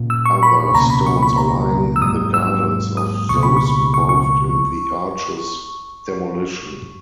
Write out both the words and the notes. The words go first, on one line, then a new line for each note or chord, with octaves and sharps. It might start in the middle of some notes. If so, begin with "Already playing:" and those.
Other stones are lying in the gardens of those involved in the arch's demolition.
Already playing: A#2 A#3 C#4
E6
C#6
B5
C#2 B2 A#3 C#4 A#5
B5
C#6
B5
A#5
E6
G#2 F#3 A#3 D#6
E6
D#6
C#2 B2 A#3 C#6
B5
C#6
C#6
C#6